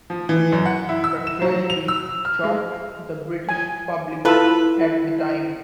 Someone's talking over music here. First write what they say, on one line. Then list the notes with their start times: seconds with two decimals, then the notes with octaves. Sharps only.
The tragedy shocked the British public at the time.
0.10 F3
0.29 E3
0.52 F#2
0.66 F#5
0.89 E4
1.04 E6
1.27 E7
1.42 F#3
1.70 F7
1.88 E6
2.25 F6
2.44 G#3
3.49 G#5
4.25 E4 F4 A4 B4 A5 E6